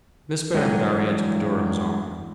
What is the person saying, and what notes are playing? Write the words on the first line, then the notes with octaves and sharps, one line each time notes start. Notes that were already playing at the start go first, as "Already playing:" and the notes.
Miss Berengaria took Durham's arm.
G2 E3 F#3 G#3